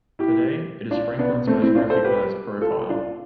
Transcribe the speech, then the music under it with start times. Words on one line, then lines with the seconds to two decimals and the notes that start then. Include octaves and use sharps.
Today, it is Franklin's most recognized profile.
0.19 E4 G4
0.91 D4 F4
1.19 B3 D4
1.47 A3 C4
1.62 C4 E4
1.75 D4 F4
1.90 A4 C5
2.05 G4 B4
2.61 F4 A4
2.89 D4 F4